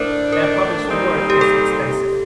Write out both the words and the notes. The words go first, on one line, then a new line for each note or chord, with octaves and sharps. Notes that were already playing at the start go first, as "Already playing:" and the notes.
Their published work is extensive.
Already playing: A2 A3 D4 A#4 C5
A#4
A#2 G3 C4 D#4
G4
A4